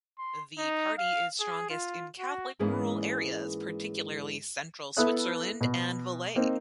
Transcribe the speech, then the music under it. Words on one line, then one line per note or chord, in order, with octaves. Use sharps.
The party is strongest in Catholic rural areas, particularly Central Switzerland and Valais.
C6
D#4
F5
G#4
F4
F#4
G#2 E3 G#3 A#3 B3 C#4
B3 E4 A4 E5 D#6 F#6
B2
A#3 C4 D#4